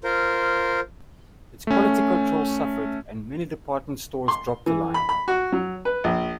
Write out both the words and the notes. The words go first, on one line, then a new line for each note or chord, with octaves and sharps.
Its quality control suffered, and many department stores dropped the line.
F4 A#4 C5
A3 C#4
C6
E3
B5
B5
F#4
F#3
B4
A#1